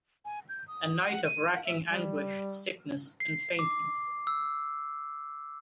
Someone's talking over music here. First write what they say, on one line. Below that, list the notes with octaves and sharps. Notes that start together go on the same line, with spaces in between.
A night of racking anguish, sickness and fainting.
G#5
G6
D#6
F#5
D#7
F#5
E5
G3
C7
D6
E6